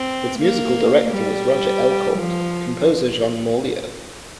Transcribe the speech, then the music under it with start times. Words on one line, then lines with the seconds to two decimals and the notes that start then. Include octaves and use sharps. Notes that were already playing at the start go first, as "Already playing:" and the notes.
Its musical director was Roger Elcourt, composer Jean Morlier.
Already playing: C4
0.39 A#3
1.10 G3
2.18 F3